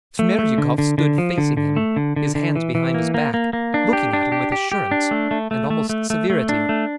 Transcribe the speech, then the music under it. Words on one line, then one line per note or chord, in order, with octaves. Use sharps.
Smerdyakov stood facing him, his hands behind his back, looking at him with assurance and almost severity.
A3
A3
D3
D3
D3
F3
D3
D3
A3
D3
D3
D3
E3
E3
A#3
A#3
A#3
A#3
D4
G4
D4
G4
G4
G4
D4
A3
A3
A3
A3
A3
A3
A3
D4
A3